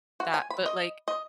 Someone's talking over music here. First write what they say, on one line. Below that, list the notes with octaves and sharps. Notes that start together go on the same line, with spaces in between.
that, but, like
F#4
G#5
B5
D#5
D#5